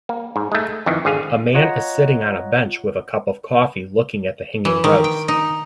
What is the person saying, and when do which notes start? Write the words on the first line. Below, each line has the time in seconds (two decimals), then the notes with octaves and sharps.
A man is sitting on a bench with a cup of coffee looking at the hanging rugs.
0.09 A#3
0.36 G#2
0.52 G#3 A3
0.86 F2 D#3 E3
1.05 G#1 D3 G#4 F5
1.54 F4 C#5 D#5 F#5 A#5
4.65 E3
4.84 D#3
5.04 G5
5.28 D#4